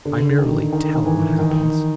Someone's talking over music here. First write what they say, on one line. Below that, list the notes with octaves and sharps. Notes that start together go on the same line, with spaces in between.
I merely tell what happens.
D3
D#3
D#3
D#3
E3
D#3